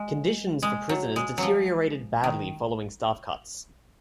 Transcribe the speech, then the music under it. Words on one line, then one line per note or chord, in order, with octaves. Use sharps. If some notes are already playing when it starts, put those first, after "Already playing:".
Conditions for prisoners deteriorated badly following staff cuts.
Already playing: G#3
G#3
F#3
G#3
F3 F#3
D#3